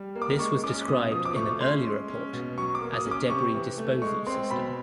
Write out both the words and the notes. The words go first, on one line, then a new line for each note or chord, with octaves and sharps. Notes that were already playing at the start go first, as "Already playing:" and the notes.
This was described in an earlier report as a "debris disposal system".
Already playing: G3
A#3
D6
G#3 C#6
C#4 D6
B2 D#6
F3 D#6
D6
A3 C#6
C#4 C6
G#3
C#4
B2
F#3 C#6
D6
A#3
D#6
C#4
D6
C3 C#6
E3
A3
G#3 C#6
C4 C6
B2 B5